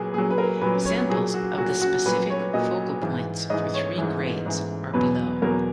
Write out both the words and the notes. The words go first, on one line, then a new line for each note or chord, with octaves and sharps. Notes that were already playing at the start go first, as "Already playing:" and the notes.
Samples of the specific focal points for three grades are below.
Already playing: A#2 F#3 G#4 B4
A#2 F#3 G#4
B4
A#4
A#2 F#3 B4
C#5
A#2 F#3 G#4
F#4
A#2 F#3 F#4
F#4
A#2 F#3 B4
C#5
A#2 F#3 D#5
G#2 E3
G#2 E3 D#5
C#5
G#2 E3
G#2 E3
E2 B2 F#3 B4
E2 B2 F#3 A#4